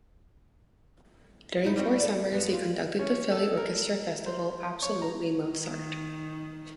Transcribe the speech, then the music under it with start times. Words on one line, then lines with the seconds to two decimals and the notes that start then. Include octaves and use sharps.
During four summers, he conducted the Philly Orchestra Festival "Absolutely Mozart".
1.65 G2 D#4 E4
1.76 G3 C4 F#4
2.00 D4 A4
2.32 F2 B3
2.53 F4
2.99 C#4
3.32 A4
3.57 A#4
4.26 C5
4.83 C#5
5.02 A#5
5.55 D#3